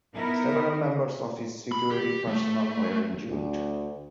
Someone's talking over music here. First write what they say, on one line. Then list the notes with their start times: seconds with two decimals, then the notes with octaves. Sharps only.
Several members of his security personnel were injured.
0.13 B3 D#4 E4 A#4
1.72 B5
1.91 G4
2.27 A3
3.29 D2